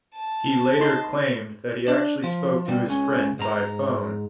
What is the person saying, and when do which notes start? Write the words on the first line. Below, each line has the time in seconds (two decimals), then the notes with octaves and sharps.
He later claimed that he actually spoke to his friend by phone.
0.14 A5
0.80 D#4 C6
1.88 D4
2.24 F3
2.68 B2 G3
2.85 C#2 C#4
3.39 G#2 A#5